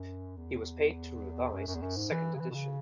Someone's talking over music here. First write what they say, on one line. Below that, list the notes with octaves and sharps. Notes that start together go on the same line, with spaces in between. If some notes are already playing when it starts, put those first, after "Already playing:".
He was paid to revise its second edition.
Already playing: F#2
E2
F#2
F#2
E2
F#2
G#2
E3
C#3
E3
B2
C#3